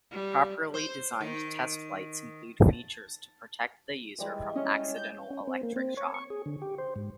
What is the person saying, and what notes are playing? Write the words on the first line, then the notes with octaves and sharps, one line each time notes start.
Properly designed test lights include features to protect the user from accidental electric shock.
G3
C5
D#3
A5
E3 G3 G#3
C#4 D#5
G6
C#4
C4
A#3
C4
C#5
C#6
G#4
D3
G4
C5
G#2